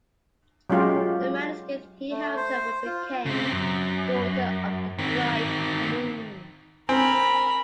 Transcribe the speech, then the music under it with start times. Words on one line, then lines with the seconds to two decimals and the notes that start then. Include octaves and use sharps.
The manuscript he helped her with became "Daughter of the Bright Moon".
0.70 F#3 G#3 C#4 F4 G4
2.11 A3
2.36 C5
2.85 F4
3.26 C#3 C4
3.52 F#2
4.98 D#3 C4
6.89 C4 A#4 G#5 B5